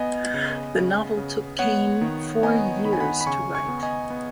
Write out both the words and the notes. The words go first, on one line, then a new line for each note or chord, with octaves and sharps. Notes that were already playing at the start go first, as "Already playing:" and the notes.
The novel took Cain four years to write.
Already playing: B3 D#5 G#5
C#3
C#3
C#3
B3 C#5 F#5
D#3
B3 D#5 G#5
D#3 B5
G#5
F#5 B5
B5
C#3 G#5 C#6
G#5 C#6
B3
D#5 G#5
B3